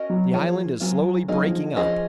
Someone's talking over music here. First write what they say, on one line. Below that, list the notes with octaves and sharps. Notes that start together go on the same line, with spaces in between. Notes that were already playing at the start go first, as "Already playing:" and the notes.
"The island is slowly breaking up."
Already playing: C#4 F#4 A#4 D#5
F#3
F3 A#3 F4 G#4 C#5
F#3 G#3 C4 F4
F#3 A#3 D#4 G#4 D#5
F3
F3 C#4 F4 G#4 C5 D#5